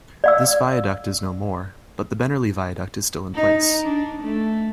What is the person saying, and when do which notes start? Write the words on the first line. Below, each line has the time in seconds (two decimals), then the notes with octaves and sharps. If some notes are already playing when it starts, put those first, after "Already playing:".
This viaduct is no more, but the Bennerley Viaduct is still in place.
0.24 D5 F5 E6
3.35 D#4
3.84 D4
4.22 A3